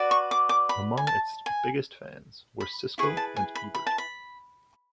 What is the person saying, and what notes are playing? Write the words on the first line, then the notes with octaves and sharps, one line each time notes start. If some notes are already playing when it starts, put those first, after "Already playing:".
Among its biggest fans were Siskel and Ebert.
Already playing: F#4 B4 D5
C#6
D6
D6
B5
G#5
A5
G#5
B5
E4 G#4 B4 C#6
A5
G#5
B5
B5
A5
B5